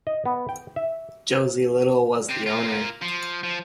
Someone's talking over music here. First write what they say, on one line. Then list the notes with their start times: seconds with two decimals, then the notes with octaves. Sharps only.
Josey Little was the owner.
0.07 D#5
0.25 B3
0.49 G5
0.76 E5
2.29 C3 C4
2.46 A#3 F4
3.02 F3
3.43 F3